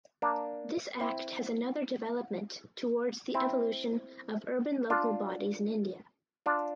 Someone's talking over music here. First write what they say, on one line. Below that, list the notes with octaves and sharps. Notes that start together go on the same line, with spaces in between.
This act has another development towards the evolution of urban local bodies in India.
A#3 D4
C4 E4
C4 E4
D4 F4
D4 F4